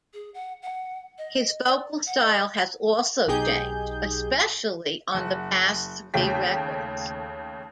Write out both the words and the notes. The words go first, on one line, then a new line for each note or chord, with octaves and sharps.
His vocal style has also changed, especially on the past three records.
G#4
F#5
F#5
D#5
D5
F#5
D#5
B1 D#4 G4 G#4 G6
F#1 F#5
D#2 C#3 A3 G5 B6